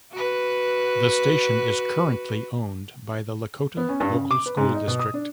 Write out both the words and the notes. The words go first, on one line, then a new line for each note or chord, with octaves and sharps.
The station is currently owned by the Lakota Local School District.
F#4 B4
B3
C#4
G2
C#3
D6
B4
G#2
D#4
B2
D#6
D4